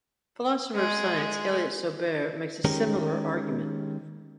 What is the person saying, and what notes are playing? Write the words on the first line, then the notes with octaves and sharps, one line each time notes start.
Philosopher of science Elliott Sober makes a similar argument.
G#3
D#3 G#3 C#4 G4 A#4